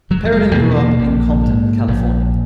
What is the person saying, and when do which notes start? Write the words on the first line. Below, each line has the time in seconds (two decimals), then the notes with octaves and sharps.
Perrodin grew up in Compton, California.
0.10 F#1 F#3
0.25 F#3
0.32 G#3
0.54 E2 B2 A#3
0.71 B3
0.76 A#3
0.99 A#1
1.43 G#2
1.88 A#1